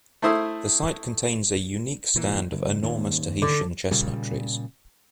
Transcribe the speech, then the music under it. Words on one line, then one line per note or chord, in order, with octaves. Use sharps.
The site contains a unique stand of enormous Tahitian chestnut trees.
A3 E4 C5 D#6 E6
A#2 E3
F#1
D#1 D#2 G#2
D3
A#2 C#3 G3